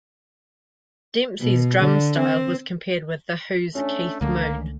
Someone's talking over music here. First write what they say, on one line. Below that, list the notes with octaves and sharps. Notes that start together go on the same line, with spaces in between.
Demsey's drum style was compared with The Who's Keith Moon.
B2
D3
C4
A3 C#4 D4
C#2 D3 A3 A#3